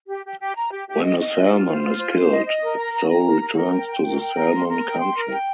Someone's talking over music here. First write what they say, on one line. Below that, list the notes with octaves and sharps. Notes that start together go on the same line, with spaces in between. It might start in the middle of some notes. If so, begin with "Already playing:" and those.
When a salmon is killed, its soul returns to the salmon country.
G4
G4
G4
A#5
G4
G4
D#5
D#5
F4
F4
C5
F4
C5
C5
D#5
D#5
A#4
A#5
A#5
A#5
A#4
A#4
A#4
G5
G5
A#4
G5
A#4
C6
A#4
G5
C6
A#4
G5